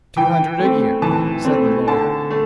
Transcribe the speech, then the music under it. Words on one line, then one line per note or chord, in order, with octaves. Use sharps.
"Two hundred a year," said the lawyer.
E3 G5
A3 C4
E3 A5
A3 C4
D3 A5
A3